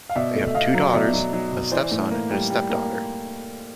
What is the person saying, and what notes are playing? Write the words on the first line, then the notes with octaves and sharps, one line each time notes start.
They have two daughters, a stepson and a stepdaughter.
F5
B2 D5 E5
A3
E5
B2 D#5 F5
F#3
B2 D5 E5
F#3
F#3
B2
E3 C5 D5
A2
A#3
G3
G3
A#3